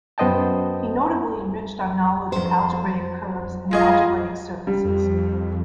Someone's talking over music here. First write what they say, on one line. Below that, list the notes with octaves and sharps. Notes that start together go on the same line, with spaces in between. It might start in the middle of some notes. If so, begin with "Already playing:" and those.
He notably enriched our knowledge of algebraic curves and algebraic surfaces.
F#2 B3 C5 D#5 G5 A5
F2 C5
G#3 F4 G#4 D#5
G3
F2